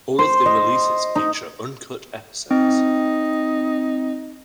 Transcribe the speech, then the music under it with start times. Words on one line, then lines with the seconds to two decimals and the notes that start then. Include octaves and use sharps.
All of the releases feature uncut episodes.
0.19 C5
0.46 D#5
1.15 D#4
2.51 C4 D#4